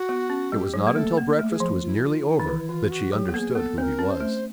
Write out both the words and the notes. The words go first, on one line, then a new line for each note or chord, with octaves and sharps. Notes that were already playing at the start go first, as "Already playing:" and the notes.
It was not until breakfast was nearly over that she understood who he was.
Already playing: F#4
B3
C#4
G3 G4
F#3 G#4
A#3
A3 A4
A#3
A3
G#4
F3
F4
E4
F#4
F4
D#4
D#3
E3 E4
E3 F4
F#4
F#3 G4
B3
A#3 G#4 A4
B3 A4
C4 A#4 C5
C#4
C5
A3